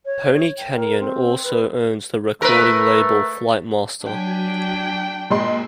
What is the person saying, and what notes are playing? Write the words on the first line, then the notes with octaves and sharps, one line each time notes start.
Pony Canyon also owns the recording label Flight Master.
C#5
G5
A#4
C4
B4
A3 A#4 B4
F#3 D4 G5 G#5 B6
A#2 G#3 G#5 C6 E6